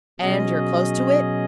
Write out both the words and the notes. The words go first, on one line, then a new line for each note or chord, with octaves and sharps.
"And you're close to it?"
B2 F#3 C#4 G#4 D#5